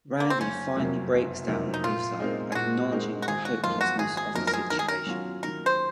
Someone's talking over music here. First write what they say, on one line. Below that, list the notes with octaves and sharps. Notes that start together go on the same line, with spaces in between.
Randy finally breaks down and gives up, acknowledging the hopelessness of the situation.
A#3
C4
F#1 C#4
F2 C3 F#3 A#3
F#1
F2 C3 F#3 A#3
D#4
A#2 F4
G#3 C4 D#4 A#4
G#4
A#2 F#4
G#3 C4 D#4 A#4
F#4
G#1 G#4
F#4
F#2 F3 A#3 D#4 F4
F#4
G#1 G#4
G#4
F#2 F3 A#3 D#4 A#4
A#4
G#4
D#3 A#4
G#4
A#4
F#3 C#4 F4
D#3 A#4
C5